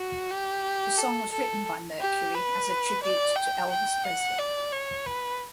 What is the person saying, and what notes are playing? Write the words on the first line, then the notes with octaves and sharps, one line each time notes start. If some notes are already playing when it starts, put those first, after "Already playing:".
The song was written by Mercury as a tribute to Elvis Presley.
Already playing: F#4
G4
A4
A4
G4
B4
D5
G5
G5
F#5
D5
C#5
B4